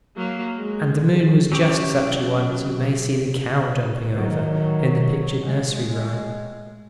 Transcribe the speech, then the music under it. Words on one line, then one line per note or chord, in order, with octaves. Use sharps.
And the moon was just such a one as you may see the cow jumping over in the pictured nursery rhyme.
F#3 A#3
G#3
F#3 C#4 G4 G5 C#6
D#3 F#3
G#3